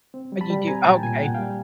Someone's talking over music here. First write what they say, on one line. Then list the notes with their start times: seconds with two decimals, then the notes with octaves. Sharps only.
Oh, you do? Okay.
0.14 C4
0.32 G3
0.41 A5 B5
0.50 G3
0.67 C4 G#5 A#5
0.85 A#2 G5 A5
1.03 A#2 G#5
1.14 G5
1.20 A#2 F#5
1.34 G3 F5 G5